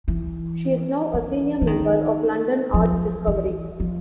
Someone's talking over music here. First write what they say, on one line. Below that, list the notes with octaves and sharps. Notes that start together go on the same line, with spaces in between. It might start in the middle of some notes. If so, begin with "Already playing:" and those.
She is now a senior member of London Arts Discovery.
E3
E3
E3
D#3
F3
E3
F3